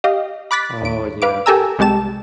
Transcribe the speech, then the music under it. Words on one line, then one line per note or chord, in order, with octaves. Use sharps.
Oh, yeah.
G4 D#5 F5
B5 D6 F#6 A6 B6
D#2 D7
B4 F5 D6 D7
G4 A4 A#4 G#5 A#5 E6
C2 G#3 G4 A5 E7